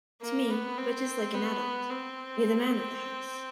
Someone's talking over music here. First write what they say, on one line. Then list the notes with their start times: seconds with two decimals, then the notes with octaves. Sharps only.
To me, butch is like an adult...You're the man of the house.
0.22 A#3
0.50 B3
0.78 C4
1.34 B3
1.90 C4